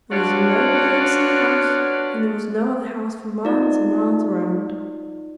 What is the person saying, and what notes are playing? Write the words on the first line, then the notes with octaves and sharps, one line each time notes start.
There was nobody else in the house, and there was no other house for miles and miles around.
D4 F4 F#4 B4 C#5 D5
D#4 F4 D5